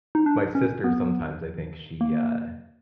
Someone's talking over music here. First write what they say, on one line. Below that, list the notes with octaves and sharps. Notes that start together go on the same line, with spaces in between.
my sister, sometimes, I think she, uh,
D#4
D4
C#4
B3
A#3